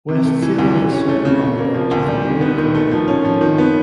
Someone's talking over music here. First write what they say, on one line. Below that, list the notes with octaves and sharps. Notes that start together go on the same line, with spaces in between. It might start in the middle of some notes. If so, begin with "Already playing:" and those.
West Salem is served by a branch of the Wayne County Public Library.
C3
A3
E3
D2
E3
C#4
A3
C#3
C#3
A#3
F3
D2
G3
D#3
B3
D#3
A3
F3
C#4
F3
D#3
B3